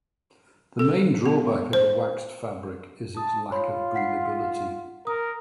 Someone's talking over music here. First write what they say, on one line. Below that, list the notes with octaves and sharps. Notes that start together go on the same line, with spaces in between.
The main drawback of a waxed fabric is its lack of breathability.
A4
B3
C5
A5 D#6
F4 C#5 B5 C6
F#5 B6 C7
A#4 D#6